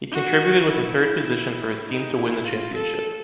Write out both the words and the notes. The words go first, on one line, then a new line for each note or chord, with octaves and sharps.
He contributed with a third position for his team to win the championship.
F#4
E4
D#4
E4
F4
A4